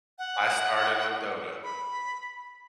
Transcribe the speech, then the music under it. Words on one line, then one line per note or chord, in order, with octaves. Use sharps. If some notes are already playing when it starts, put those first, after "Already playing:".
I started on Dota.
F#5
B5